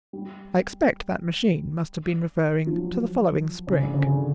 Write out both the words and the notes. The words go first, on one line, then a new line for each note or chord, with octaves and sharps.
I expect that machine must have been referring to the following spring.
G3
F3
F#3
C#3
D3
C#3
D3